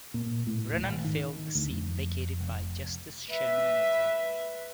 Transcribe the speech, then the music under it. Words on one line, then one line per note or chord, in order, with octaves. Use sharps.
Brennan filled the seat vacated by Justice Sherman Minton.
A#2
A2
D#1
G#1
D#3
D2
F2
F1
B4 E5